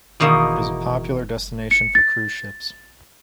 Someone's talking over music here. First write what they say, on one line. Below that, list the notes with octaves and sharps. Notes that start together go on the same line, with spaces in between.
It is a popular destination for cruise ships.
E2 B2 D#3 A#3
C#7
A6